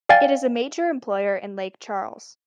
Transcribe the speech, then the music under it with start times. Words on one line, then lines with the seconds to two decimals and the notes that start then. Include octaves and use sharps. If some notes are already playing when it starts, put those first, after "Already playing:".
It is a major employer in Lake Charles.
0.09 D5 F5 G5 G#5 A6